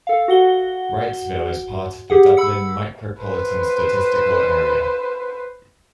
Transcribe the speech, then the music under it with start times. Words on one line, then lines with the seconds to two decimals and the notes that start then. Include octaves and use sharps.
Wrightsville is part of the Dublin Micropolitan Statistical Area.
0.07 A4 F5
0.28 F#4 F#5 G7
2.10 G4 G#4 F#5
2.37 B5 E6 C#7
3.23 B4 C5